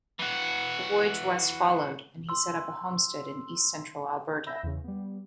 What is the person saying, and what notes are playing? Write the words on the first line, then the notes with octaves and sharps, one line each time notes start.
A voyage west followed, and he set up a homestead in east-central Alberta.
E3 F#4
C6 E6
E5 B5 E6 G6 A#6
E2 C#3
G3 B3